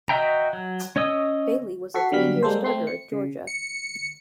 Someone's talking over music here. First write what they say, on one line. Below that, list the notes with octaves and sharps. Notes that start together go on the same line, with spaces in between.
Bailey was a three-year starter at Georgia.
F#4 D#5 E5 G5 A#5
F#3
C#4 C#5 D#5 D#6 E6
F#4 A4 F#5 C#6 B6 C7
D3 F#3 G3 F5 B6
G3 G#3 A#3 A4 C5
A3 C4 C6
C#7
C#3
C#7